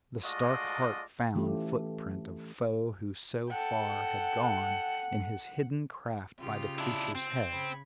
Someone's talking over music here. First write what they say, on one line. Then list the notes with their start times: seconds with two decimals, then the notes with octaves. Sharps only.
The stark-heart found footprint of foe who so far had gone in his hidden craft by the creature's head.
0.23 G#3 A3 F4 F#4 D5 D#5
1.35 E3 A3 C#4 F4 G4
3.50 A4 F#5 G5
6.39 C#3 F4 G4
6.79 D4 E4
7.15 C4
7.50 C#3 B5 G#6